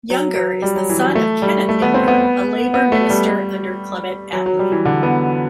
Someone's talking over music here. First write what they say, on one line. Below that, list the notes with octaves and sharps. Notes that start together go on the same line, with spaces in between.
Younger is the son of Kenneth Younger, a Labour Minister under Clement Attlee.
F#3
F#3
G3
F#3
E3
F#3
A3
G3
A3
B3
C4
B3
B3
A3
G3
F#3
F#3
G3
E3
D3
B3